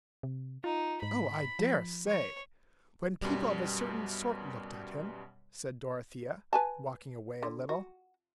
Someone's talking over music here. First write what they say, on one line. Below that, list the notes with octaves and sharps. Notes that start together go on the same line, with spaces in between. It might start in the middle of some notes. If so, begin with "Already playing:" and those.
"Oh, I dare say! when people of a certain sort looked at him," said Dorothea, walking away a little.
C3
D#4 F4
G#2 B5
F3
C#5
F#2 B2 G3
B4 G#5 A5
D3
F#4